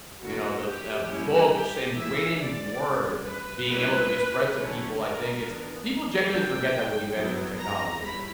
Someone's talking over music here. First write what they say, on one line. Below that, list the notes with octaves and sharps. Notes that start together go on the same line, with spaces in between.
you know, the, uh, books and written word being able to be spread to people, I think it's people generally forget that with the advancement of technology, I think.
D3 F#3 A#3 E4 F#4
G4
G3 A#3 C#4 E4
G4
E3 A#3 E4 E5
D5
D3 G3 C#4
B4
G3 A#3 C#4 E4 B4
D3 F#3 C#4 E4
A#4
E3 B3 D4
D3 A#3 D4 G5
F#3 B3 E4
A#5
G3 C#4 E4 B5